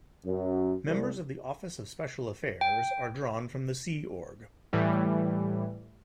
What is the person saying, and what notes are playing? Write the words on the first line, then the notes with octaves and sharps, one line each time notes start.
Members of the Office of Special Affairs are drawn from the Sea Org.
F#2
C2
G5
A2 E3 G3